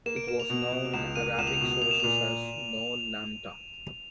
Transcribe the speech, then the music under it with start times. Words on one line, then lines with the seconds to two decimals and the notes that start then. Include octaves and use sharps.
It was known in Arabic sources as Noul Lamta.
0.06 A#3 E7
0.16 D7
0.27 A#3 E7
0.40 F7
0.50 B2
0.72 B2
0.94 C#2 E7
1.16 A#3 D#7
1.38 C#2 E7
1.47 F7
1.57 B2 E7
1.82 A#3 F7
1.91 E7
2.00 A#2 F7